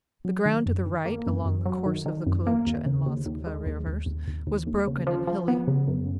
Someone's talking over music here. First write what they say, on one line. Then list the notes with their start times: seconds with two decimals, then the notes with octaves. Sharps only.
The ground to the right--along the course of the Kolocha and Moskva rivers--was broken and hilly.
0.25 F#3
0.46 D#3
0.66 F#2
0.86 D#3
1.06 A#3
1.26 F#2
1.45 F#2
1.66 F#3
1.86 D#3
2.06 D#3
2.26 F#2
2.47 A#3
2.67 D#2
2.86 C#3
3.06 D#2
3.26 D#2
3.47 G#3
3.66 D#2
3.87 D#2
4.06 D#2
4.28 D#2
4.47 D#2
4.67 D#2
4.87 C#3
5.07 F3
5.27 F3
5.48 B3
5.67 C#3
5.88 F#2